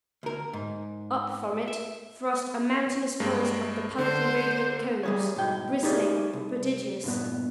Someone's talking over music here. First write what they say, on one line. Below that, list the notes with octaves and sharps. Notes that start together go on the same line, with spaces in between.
Up from it thrust a mountainous forest of the pallidly radiant cones; bristling; prodigious.
D2 A#4
G#2
E5
G2 G#3 A#3
D3 C5
G3 G#4 C#5
G#2 B2 G5
D#4 G4 G#4 D5
C2
G2 A#2 B3